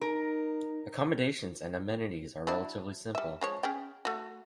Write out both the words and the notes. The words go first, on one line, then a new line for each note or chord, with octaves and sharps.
Accommodations and amenities are relatively simple.
D#4 A#4
F#3 D4 E4
G3 E5
F3 G#3 C#5
C#4 G#4 G5
A3 F#4